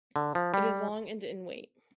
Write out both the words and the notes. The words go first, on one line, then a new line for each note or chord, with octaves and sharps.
It is long and in weight.
D3
F3
G3